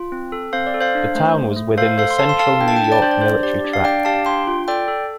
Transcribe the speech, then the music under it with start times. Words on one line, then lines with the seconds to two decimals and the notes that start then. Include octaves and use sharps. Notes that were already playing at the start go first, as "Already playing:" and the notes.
The town was within the Central New York Military Tract.
Already playing: F4
0.12 C4
0.32 A4
0.53 C4 C5 F5
0.67 D5
0.74 A4
0.81 C5 F5
0.95 D4
1.15 A3 C5
1.36 A3
1.56 A3
1.77 A4 C5 F5
1.98 A4 C5 F5
2.10 C6
2.18 A4 F5 A5
2.29 C6
2.39 A4 F5 A5
2.61 D4 G5
2.68 A5
2.76 G5
2.81 D4 A5
2.92 D5 G5
3.02 D4 C5
3.11 D5
3.21 D4 C5
3.43 G4 D5
3.65 D4
3.73 F5
3.84 D4 D5 G5
4.05 G4 F5 A5
4.26 D4 G5 C6
4.47 F4
4.68 A4 D5 G5
4.88 A4